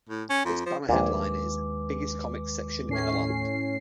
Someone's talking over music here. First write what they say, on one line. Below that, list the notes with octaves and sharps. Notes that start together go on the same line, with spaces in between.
It's banner headline is "Biggest Comics Section in the Land".
A2
C#4
F2
F3
A#1 D#2 A#2 G#3 B4 D6
A2 C#4 C7